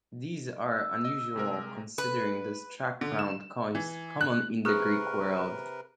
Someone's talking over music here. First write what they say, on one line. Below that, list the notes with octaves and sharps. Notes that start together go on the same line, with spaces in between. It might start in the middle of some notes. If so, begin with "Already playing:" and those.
These are unusual considering the struck, round coins common in the Greek world.
E6
D#5
C3 G#3 A#4
B4
D3
E7
E3
F#6
C3 G#4 A#4 B4 C#6 F6 F#6